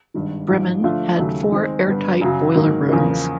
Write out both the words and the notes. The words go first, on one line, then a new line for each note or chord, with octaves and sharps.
"Bremen" had four airtight boiler rooms.
G#1 G2 D#3
A1 G#2 F3
D3 F3 A3 D4 F4
D#2 C#3 F#3 A3
D#3 G#3 C4
G2 D3 G3 B3
F#2 C#3 F#3
G#2 D#3 F#3 A#3
E2 C#3 F3 A#3